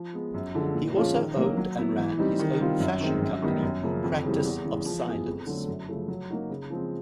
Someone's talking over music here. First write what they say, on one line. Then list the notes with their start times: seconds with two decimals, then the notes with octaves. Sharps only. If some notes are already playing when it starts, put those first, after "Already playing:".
He also owned and ran his own fashion company Practice of Silence.
Already playing: F3
0.13 G#3 B3
0.34 F#2
0.55 D3 F3 G#3
0.75 A#2
0.96 F3 G#3 C#4 F4
1.16 D#3
1.37 F#3 A#3
1.57 F#3
1.78 B3 E4
1.98 E3
2.18 G3 C4 D#4
2.39 D#3
2.59 G3 C4 F4
2.80 F#2
3.01 D#3 G#3 C4
3.22 F#2
3.42 D#3 G3 B3 D#4
3.62 F#2
3.83 C#3 F3 A#3
4.04 F2
4.24 C#3 E3 G3 C4
4.44 E2
4.65 C#3 E3 G#3
4.86 F3
5.06 G#3 B3 E4 G#4
5.27 F2
5.47 D3 F#3 A3
5.68 F#2
5.88 C#3 F3 A3
6.08 F#3
6.30 A#3 D#4 F#4
6.50 C#3
6.70 F3 G#3 C4